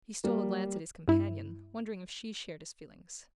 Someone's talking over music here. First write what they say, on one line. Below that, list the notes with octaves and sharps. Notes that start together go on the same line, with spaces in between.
He stole a glance at his companion, wondering if she shared his feelings.
G3 A#3
G2 E4